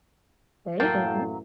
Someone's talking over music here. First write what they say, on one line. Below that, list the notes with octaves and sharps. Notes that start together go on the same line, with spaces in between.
There you go.
F#2 A2 E3 F#3 A#3 F5 G5 A5